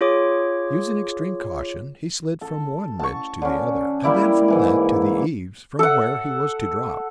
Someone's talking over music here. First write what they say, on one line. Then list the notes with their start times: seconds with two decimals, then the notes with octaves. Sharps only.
Using extreme caution, he slid from one ridge to the other, and then from that to the eaves, from where he was to drop.
0.01 F4 G#4 C#5 D6
2.41 A4
2.99 A5 C#6
3.42 D3 C#4
4.03 G3 A#3 E4 D5
4.48 G#2 E3 G#5
5.79 A4 F#5